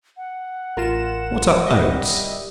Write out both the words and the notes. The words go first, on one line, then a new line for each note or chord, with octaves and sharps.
What are Oats?
F#5
A1 F4 A#4 E7
G3 D#5 E5